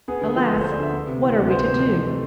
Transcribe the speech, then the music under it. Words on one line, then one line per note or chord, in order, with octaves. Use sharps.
Alas, what are we to do?
B3 G#4
D3 G#4
F3
D2 A4
C5
B3
D5
D3 E5
B3
C3
E3
D2 D5
B3 C5
C3 C5
F2
E3
A3